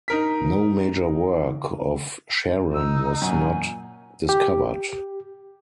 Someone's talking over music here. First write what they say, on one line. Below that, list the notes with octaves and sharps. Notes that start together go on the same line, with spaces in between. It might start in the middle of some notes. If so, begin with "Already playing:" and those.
No major work of Sharan was not discovered.
D#4 A#4 B6
D#4 E6
F#2 A#2 G#5
G4